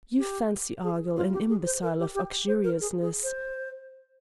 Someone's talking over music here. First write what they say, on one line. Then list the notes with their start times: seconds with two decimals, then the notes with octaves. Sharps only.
You fancy Argyll an imbecile of uxoriousness.
0.18 G4
0.84 G#4
1.16 F4
1.33 G4
1.49 G#4
1.65 C5
1.83 A#4
1.99 G4
2.15 G4
2.48 C5
2.64 A#4
2.81 G#4
3.02 G#4
3.23 C5